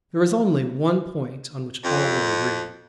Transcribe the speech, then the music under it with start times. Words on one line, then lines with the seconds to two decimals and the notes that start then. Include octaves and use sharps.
There was only one point on which all were agreed.
1.84 F2